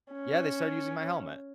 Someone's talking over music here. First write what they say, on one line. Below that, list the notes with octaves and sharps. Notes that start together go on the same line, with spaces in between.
yeah, they started using my helmet.
C#4